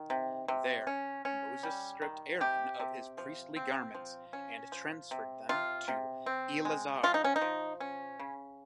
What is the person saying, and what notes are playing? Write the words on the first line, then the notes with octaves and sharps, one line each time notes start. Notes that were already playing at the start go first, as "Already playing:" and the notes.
There Moses stripped Aaron of his priestly garments and transferred them to Eleazar.
Already playing: D#3
C3
C3
C#4
C#4
G3
D#3
C3 G4
C3
F3
C4
F3
C#4
F3
C3
C3 F4
C3
C4
G#3
F3 F4
D#4
C#4
D#4
F3
C#4
C#3